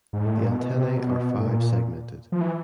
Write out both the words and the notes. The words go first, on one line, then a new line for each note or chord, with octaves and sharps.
The antennae are five segmented.
G#2
A2
A#2
B2
C3
B2
A2
A#2
F3
E3